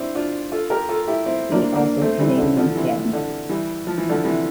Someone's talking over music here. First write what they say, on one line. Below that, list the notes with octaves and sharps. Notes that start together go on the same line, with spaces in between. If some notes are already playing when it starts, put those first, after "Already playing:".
See also Canadian Cabinet.
Already playing: C4 D4 E4
D4 F4
F4 A4
G4 A#4
F4 A4
E4 G4
C4 E4
A#3 D4
A#3 D4
A3 C4
E3 G3
D3
D3 F3
C3 E3
D3
E3 G3
F3
E3
D3 F3
C3 E3